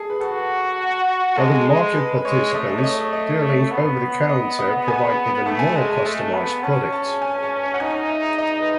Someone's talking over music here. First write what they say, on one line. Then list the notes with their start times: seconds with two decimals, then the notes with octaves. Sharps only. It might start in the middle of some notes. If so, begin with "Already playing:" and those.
Other market participants dealing over the counter provide even more customized products.
Already playing: G#4 A4
0.10 B4
0.21 F#4 A4
1.37 G#3 A4
1.96 B4
2.25 G#3 C#5
2.54 A3 D#5
2.78 C#5
2.84 D#5
3.13 D#5
3.42 C#5
3.71 B3
4.29 D#5
4.59 D#5
4.88 G#5
5.46 A3 A5
5.59 G#5
5.73 G#3 A5
6.05 A3
6.34 B3
6.63 C#4 A5
6.93 A5
7.22 G#5
7.43 A5
7.51 G#5
7.74 F#5
7.80 D#4 G#5
8.09 E5
8.38 D#5
8.61 B4